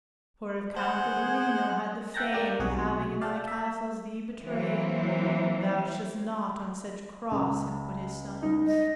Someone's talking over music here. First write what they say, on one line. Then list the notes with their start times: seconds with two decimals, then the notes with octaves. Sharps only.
For if Count Ugolino had the fame Of having in thy castles thee betrayed, Thou shouldst not on such cross have put his sons.
0.76 G#4 C5 F#5
2.14 E5 F#5 G5 A5 A#5 A#6
2.33 A#3 D4 G4 A#4
2.59 B1 C3 F#4 G#4 F#5
3.21 D5 F5 G5 A5
3.48 E5
4.41 E3 F#3 A#3 C4
7.31 C#2
8.43 D#4
8.67 D#5